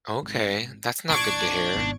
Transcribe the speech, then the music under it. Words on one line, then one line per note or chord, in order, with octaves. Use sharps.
Okay, that's not good to hear.
G#1
A#1 D4 E4 C#6 G#6 D7
G#1 B3